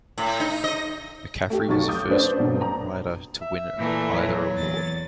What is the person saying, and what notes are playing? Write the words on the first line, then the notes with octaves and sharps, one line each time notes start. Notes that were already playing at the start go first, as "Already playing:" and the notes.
McCaffrey was the first woman writer to win either award.
A2
D#4
D#5
A3 G4
B1 F#3 D#4 C#6 A6
D6 D#6 G6
A3 C#4 D4 B4 C5 D5
G2 B2 F#3
A#5
E5
A#2 E3 A3
F#3
E2 A6